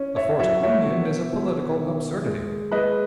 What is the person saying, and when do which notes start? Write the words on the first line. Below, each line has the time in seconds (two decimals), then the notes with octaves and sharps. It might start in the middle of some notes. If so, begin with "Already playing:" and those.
A forced union is a political absurdity.
Already playing: C#4
0.16 C#5 E5
0.39 F#3 C#5 E5
0.63 C#5 E5
0.86 B2
1.32 B2
1.79 D#3
2.26 G#3
2.72 G#3 B4 D#5